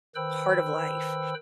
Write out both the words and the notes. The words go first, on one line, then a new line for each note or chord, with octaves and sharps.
part of life,
D#3 B4 C5 G5 B5 E6